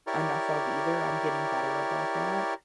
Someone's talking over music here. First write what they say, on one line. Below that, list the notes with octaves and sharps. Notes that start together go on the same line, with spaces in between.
enough of either, I'm getting better about that,
E4 G4 A#4 C#5 D5